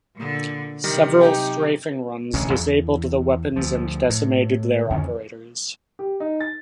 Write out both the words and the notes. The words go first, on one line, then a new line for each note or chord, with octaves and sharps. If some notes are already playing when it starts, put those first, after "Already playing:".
Several strafing runs disabled the weapons and decimated their operators.
A#2 D3
F#2 C3 D#3 G3 A#6
D#4 G4 G5
D1 A1 C3 C#4
E2
D2 F3
A2
F2 D3 D#3 C#4
G4
D#4
A6